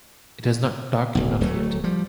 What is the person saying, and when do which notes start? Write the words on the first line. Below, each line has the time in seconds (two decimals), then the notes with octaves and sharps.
It is not dark enough yet.
1.15 D1 B1
1.41 D1 F#3 G3 A3
1.84 F3 G3